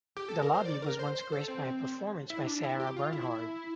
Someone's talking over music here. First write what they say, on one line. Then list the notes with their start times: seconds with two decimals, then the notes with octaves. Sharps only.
The lobby was once graced by a performance by Sarah Bernhardt.
0.17 G4
0.29 A4
0.42 A#4
0.54 C5
0.65 D5
0.82 A#4
0.99 C5
1.15 C5
1.32 A4
1.48 C4
2.30 E4
2.46 D4
2.63 E4
2.80 G4
2.97 F4
3.13 E4